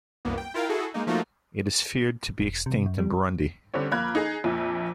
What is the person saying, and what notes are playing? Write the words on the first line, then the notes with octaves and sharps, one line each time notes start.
It is feared to be extinct in Burundi.
C2 F#2 A#3 B3
G5
E4 F4 A#4 F5 G5
E4 F#4 G#4 A4
G#3 A#3 D#4
F3 A3 A#3 D#4 F4 F#4
E1
C3
F#2
G3
D3 G3 C4 C#4
F2 A#3 B5 F#6 G#6
D#4 G#4
A#1 F2 A#2